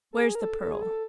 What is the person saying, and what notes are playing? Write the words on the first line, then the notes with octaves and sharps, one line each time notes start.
Where's the Pearl?
A4
G#4
A#4
A4
A4
G#4
A4